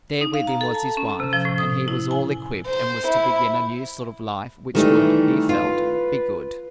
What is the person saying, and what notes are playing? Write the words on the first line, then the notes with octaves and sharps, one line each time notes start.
There with him was his wife, and he was all equipped and was to begin a new sort of life which would, he felt, be good.
D#4
F5
A#5
A4
A5
C#4
C3
F3
A2
D#6
E4
G#5
C5
E4
D#3 E3 G3 A3
F4 B4